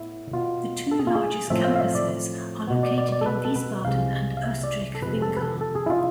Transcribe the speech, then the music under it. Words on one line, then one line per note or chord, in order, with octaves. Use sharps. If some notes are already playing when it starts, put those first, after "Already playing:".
The two largest campuses are located in Wiesbaden and Oestrich-Winkel.
Already playing: A2 B3 E4
B2 B3 F4
A4
G#4
F4
G#4
A2 F3 A3 C4 E5
F5
F5
E5
D5
B2 B3
D5
D5
D5
A4
B4
A4
B4
C2 C3 G#3 F5
F5
E5
D5
A4
F2 C3 G#3 B4
A4
B4
A4
A4
G#4
E4
F4